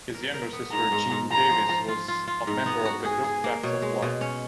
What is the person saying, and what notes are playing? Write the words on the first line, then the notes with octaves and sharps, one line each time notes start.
His younger sister, Jean Davis, was a member of the group, Facts of Life.
A#4
A#4
B3
G#2 A#5
G#2
G#2
F3 A#5
F3
F3
F4
F4
F4
G#2 A#5
B3
F#4
G#4 G#5
G#4
A#3
B2 C#5
G#3
B2
C#4